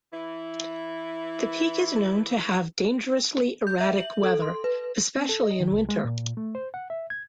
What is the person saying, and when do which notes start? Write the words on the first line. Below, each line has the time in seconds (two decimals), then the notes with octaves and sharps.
The peak is known to have dangerously erratic weather, especially in winter.
0.12 E3 E4
3.67 G6
3.80 E5
3.97 F#7
4.23 A4
4.42 C6
4.64 B4
5.17 C4
5.29 A4
5.44 D#5
5.60 D#3
5.72 C2
5.89 G#3
6.04 A#2
6.37 A3
6.55 C5
6.74 F#5
6.90 E5
7.10 G#6